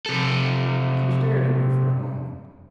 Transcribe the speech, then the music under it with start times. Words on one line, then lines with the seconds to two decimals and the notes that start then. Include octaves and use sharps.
She stared at me for a moment.
0.06 C3 A4